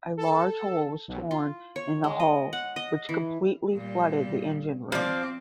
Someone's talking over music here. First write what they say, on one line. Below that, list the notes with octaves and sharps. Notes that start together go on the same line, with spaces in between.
A large hole was torn in the hull which completely flooded the engine room.
A4
B1
F4
C#5
G#3
D#5
F#5
D#5
E3
A#2 G3
F3 C4 D5